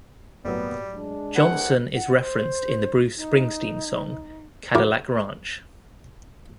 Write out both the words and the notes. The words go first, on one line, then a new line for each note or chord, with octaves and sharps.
Johnson is referenced in the Bruce Springsteen song "Cadillac Ranch".
G1 A2 F#3 G3 A#3 B3
G#3 D4
C2 B4 F#5 G#5
F#5
C5
D#4
E4 F#4 A#4 D6